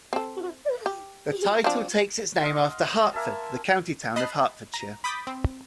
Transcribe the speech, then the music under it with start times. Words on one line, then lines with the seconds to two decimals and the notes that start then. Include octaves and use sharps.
The title takes its name after Hertford, the county town of Hertfordshire.
0.13 C4 A4
0.86 G4
1.64 F3 C4 D4
2.41 D#5 F5 F#5 C6
3.13 A#3 E5 G#5 A5
4.16 D#5 A5 B5 F#6 C7
4.74 A#5
5.04 B5 D6 D#6 G6 A6 B6
5.27 C4